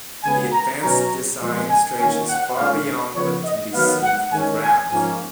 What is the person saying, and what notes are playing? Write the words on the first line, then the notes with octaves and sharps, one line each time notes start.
The advanced design stretches far beyond what can be seen from the ground.
C#3 G#3 B3 G#5
A#5
B2 F#3 C#4 A#5
A#2 F3 G#3
G#5
D#3 A#3 C#4 G#5
F#5
A#2 G#3 C#4 F5
C#3 F3 B3 C#5
D#5
D#3 F#3 B3 F5
F#5
D#3 G#3 C#4 G#5
G#5
G#2 F3 A#3 C#4 G#5